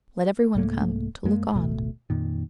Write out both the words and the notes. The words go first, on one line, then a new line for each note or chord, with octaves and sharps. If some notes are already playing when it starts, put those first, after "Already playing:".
Let every one come ... to look on.
C2 G#2 A3 A#3
F#2 G#3 A#3
D1 G#1 B2 A3
F2 A#2 D#3